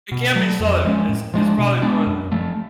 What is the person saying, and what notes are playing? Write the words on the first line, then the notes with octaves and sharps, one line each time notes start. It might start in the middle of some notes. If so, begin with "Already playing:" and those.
It can't be Southern; it's it's probably Northern.
B2
F#3 A3
F2
F3 G#3 C#4
A2
F3 G#3 D4
B2
G#3 B3 D4
F#2
F3 A3